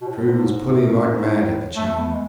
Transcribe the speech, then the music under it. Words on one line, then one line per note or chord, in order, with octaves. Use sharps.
True was pulling like mad at the chain.
B2
A2
G#2
G#2
F#2
F#2
G#2
A2
A3
A3
B3
G#3